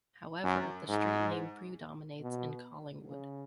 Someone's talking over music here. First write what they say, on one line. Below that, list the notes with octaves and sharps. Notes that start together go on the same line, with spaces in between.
However, the street name predominates in Collingwood.
F#2
G#2
B2
C#3